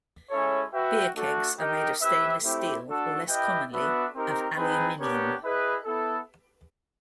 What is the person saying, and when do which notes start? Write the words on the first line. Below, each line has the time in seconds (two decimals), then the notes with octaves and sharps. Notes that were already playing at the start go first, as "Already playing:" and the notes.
Beer kegs are made of stainless steel, or less commonly, of aluminium.
0.30 G#3 C#4 E4 A4 C#5
0.73 F#4 B4 E5 G5
1.16 A3 D4 F#4 A4
1.58 D#4 G4 A#4 D#5 G5
2.01 C4 E4 G4 B4 E5
2.43 A3 C4 E4 G4
2.86 D4 F#4 A4
3.28 E4 G4 B4 D#5 G5
3.71 B3 D4 F#4 B4 E5
4.14 C4 D#4 G4 A#4
4.57 C4 D#4 G#4 B4
4.99 B3 D4 G4 A#4 C#5
5.42 E4 G#4 B4 D#5
5.85 B3 E4 A4